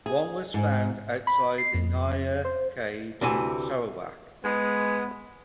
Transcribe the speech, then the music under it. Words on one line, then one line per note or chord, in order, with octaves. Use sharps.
One was found outside the Niah Cave in Sarawak.
G#4
G#2
B5
C7
F2
C5
D2 C3 E3 G#5
G#3 B3